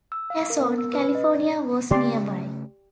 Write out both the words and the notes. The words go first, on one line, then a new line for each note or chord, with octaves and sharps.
Kasson, California was nearby.
E6
F5
A#4
B3
E6
B4
D#5
D5
C#3 A3 C#4 G4 D5 C6